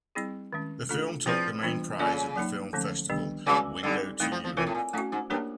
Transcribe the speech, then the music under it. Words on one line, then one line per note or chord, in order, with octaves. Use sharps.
The film took the main prize at the film festival "Window to Europe".
G3 C4 E4 G#4
D#3 G#3 C#4
A3 D4 F4 A4
F3 C4 E4 G#4 B4 D5
E3 G3 B3 D4 F4
C#3 A#3 C#4 F4 A4 D5
F#3 A#3 D#4
D3 F3 A3 C#4
D#3 G3 B3 D4 G4
C#3 G#3 C#4 F#4 B4 D5
D3 G3 C4 D#4 G4
D#3 A3 C4 E4
F3
F3
E3 C4 F4 A#4 C#5
A2
A#2
A2 A3 C#4 F#4
G#2
G2 A#3 D4 G4 A#4 C#5